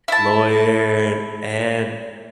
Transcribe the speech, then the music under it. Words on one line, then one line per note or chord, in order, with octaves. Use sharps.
lawyer, and
E4 A5